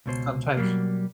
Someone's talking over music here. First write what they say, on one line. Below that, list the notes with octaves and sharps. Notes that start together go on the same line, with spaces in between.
sometimes, you
C#2 B2 C5
B2 F#3 G3 A#3